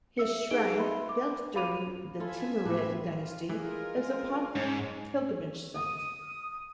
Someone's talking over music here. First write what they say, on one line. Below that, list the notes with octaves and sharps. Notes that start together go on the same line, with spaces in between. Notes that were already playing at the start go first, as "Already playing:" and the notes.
His shrine, built during the Timurid Dynasty, is a popular pilgrimage site.
E5 E6 C#7
D#4 G#4 B4 D#5 D7 G7
E5 B5 C6
D6
F#4 F5 B5 D6 D#7 F7
E4 F4 A4 E5 G#5
A2 G4 B4
F4
E3 F4 G#4 A#4 D#5
G#3
G#2
D#6